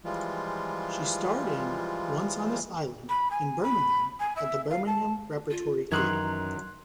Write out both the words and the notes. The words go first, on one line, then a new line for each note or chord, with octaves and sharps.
She starred in "Once on This Island" in Birmingham at the Birmingham Repertory Theatre.
E3 F3 G3 G#3 F4
B5
G#5
B5
G#5
E5
F5
A5
F4
F#2 D#3 E3 A#5 C6 F#6 G#6